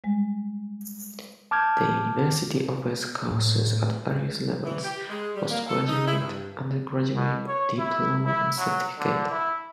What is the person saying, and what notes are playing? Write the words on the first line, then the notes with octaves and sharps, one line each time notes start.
The University offers courses at various levels: Postgraduate, Undergraduate, Diploma and Certificate.
G3 G#3
A5 D6 F6 G6 G#6
A2
E3
G4
G#3
G3
A#3
A4
D#4
E4
G2
B2
C#5
E4
E4
F#3
D3
E4